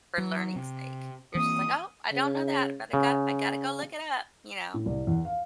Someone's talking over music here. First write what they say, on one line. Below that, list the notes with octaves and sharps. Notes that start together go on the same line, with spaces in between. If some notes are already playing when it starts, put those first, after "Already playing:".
for learning's sake. You're just, like, "Oh, I don't know that, but I got I gotta go look it up," you know?
F#3
C3
E3 A#3 C4 D#6
C#3
C#3
A2
C2
E2
F5